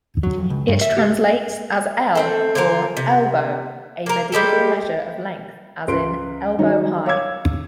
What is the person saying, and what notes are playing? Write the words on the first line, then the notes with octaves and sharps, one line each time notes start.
It translates as "ell" or "elbow", a medieval measure of length, as in "elbow-high".
F#3
F2
C#2
G2
E5
G4
A3 C4 A4
D3 C4 F4 A#4
C3
A#3 A#4
G3 G#3 G4 A4
C#2 A#4 B4 C6 D7
D#3 F#3 G3 D#4 C#5
C#5 F5 D6 E6 G#6